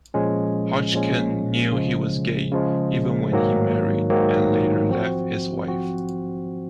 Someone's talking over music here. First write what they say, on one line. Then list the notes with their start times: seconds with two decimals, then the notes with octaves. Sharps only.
Hodgkin knew he was gay, even when he married, and later left his wife.
0.14 A#2 F3 G#3 C#4
0.93 A#2 F3 G#3 C#4
1.72 C#3 F3 G#3
2.51 C#3 F3 G#3
3.31 G#2 D#3 F#3 A#3
4.10 G#2 D#3 F#3 A#3
4.89 F3 C4 F#4
5.68 F3 C4 F#4